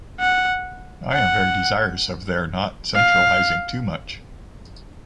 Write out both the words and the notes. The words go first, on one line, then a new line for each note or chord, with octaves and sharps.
I am very desirous of their not centralizing too much.
F#5
F#5
F5